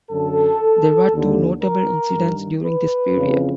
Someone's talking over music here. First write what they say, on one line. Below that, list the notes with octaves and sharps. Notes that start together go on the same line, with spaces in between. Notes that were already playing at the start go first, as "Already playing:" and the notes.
There were two notable incidents during this period.
F#2 D3 A4
D#2 D3
A#4
G2 D#3
B4
F2 C#3 E3